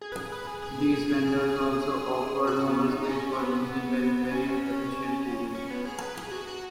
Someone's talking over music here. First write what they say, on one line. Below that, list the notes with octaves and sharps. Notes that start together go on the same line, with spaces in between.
These fenders also offered more space for engine periphery and efficient cooling.
G#4
B4
G#4
B4
G#4
G#4
G#4
G#4
G#4
F#4
B3
D#4
D#4
C#4
C#4
B3
C#4
C#4
B3
G#4
B4
G#4
F#4
F#4